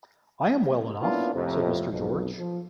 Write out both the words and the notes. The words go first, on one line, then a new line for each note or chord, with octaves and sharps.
"I am well enough," says Mr. George.
A#3 B3 C#4 D4 E4 F4
F2 A2 C3
B1 F2
F3